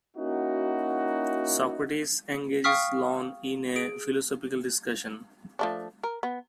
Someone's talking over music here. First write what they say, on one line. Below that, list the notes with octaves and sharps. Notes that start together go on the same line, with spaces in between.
Socrates engages Ion in a philosophical discussion.
A#3 C#4 D#4 E4 F#4
F5 G5 C#6 D#6 F6 B6
G#4 D7
F3 A3 D4
A#4
B3